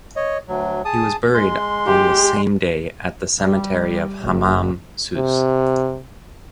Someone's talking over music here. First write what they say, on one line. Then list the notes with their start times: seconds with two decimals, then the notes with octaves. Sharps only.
He was buried on the same day at the cemetery of Hammam Sousse.
0.16 C#5 D#5
0.48 D2 F#3
0.85 G#4 A5 D#6
1.34 G#3 C6
1.87 G4
3.39 G3
4.24 F#1
5.17 C3